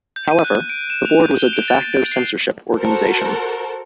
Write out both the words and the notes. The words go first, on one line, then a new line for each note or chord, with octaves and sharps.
However, the Board was a "de facto" censorship organization.
G6
D#7
F#6
D7
E7
F7
G6
G7
D7
A6
D7
C7
F#4 A4 A#4 C5